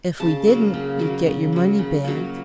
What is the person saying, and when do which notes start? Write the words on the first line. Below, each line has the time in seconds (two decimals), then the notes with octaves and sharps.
"If we didn't you'd get your money back."
0.20 C#3 A5
0.47 F#3 A#3
0.74 C#3
0.99 F#3 A#3
1.26 C#3
1.53 F#3 A#3
1.79 C#3
2.04 F#3 A#3